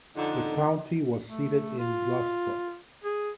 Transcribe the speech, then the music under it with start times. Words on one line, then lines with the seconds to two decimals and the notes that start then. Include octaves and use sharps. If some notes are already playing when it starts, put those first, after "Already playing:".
The county was seated in Glostrup.
0.17 F2 D3 D#4
1.29 A3
1.78 F4
3.04 G#4